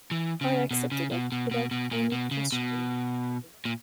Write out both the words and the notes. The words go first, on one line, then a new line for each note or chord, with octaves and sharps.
I accepted it without any question.
E3
C#3
B2
C#3
B2
B2
B2
B2
A#2
B2
C#3
B2
A#2